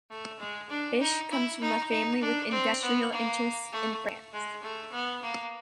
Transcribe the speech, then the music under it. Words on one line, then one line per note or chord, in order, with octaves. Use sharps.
Bisch comes from a family with industrial interests in France.
A3
G#3
D4
D#4
E4
D#4
D#4
D4
C4
B3
A#3
A3
G#3
A3
B3
A#3